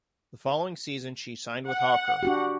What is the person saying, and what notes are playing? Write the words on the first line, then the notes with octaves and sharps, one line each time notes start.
The following season she signed with Haukar.
F#5
D4 F#4 G4